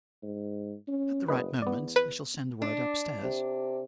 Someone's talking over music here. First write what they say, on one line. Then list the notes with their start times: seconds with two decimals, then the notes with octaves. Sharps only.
At the right moment, I shall send word upstairs.
0.23 G#2
0.88 C#4
1.28 F#1 B4 D#5
1.62 E2 B3 D5
1.96 B4
2.62 D4
3.23 C3